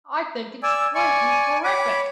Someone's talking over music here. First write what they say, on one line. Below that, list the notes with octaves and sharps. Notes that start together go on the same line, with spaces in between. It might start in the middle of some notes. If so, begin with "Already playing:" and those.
I think it's plenty terrific!
D5 G#5 E6
D5 G#5 C#6
C#5 B5 D6